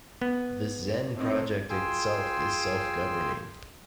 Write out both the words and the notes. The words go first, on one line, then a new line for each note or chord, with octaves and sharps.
The Xen project itself is self-governing.
B3
A2 C4 D#4
F4 G#4 G5 G#5 C6 E6